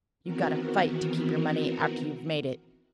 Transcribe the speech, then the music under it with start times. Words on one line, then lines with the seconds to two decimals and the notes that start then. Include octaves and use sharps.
You got to FIGHT to keep your money after you've made it.
0.24 D#3 E3 B3 C4 F#4 A#4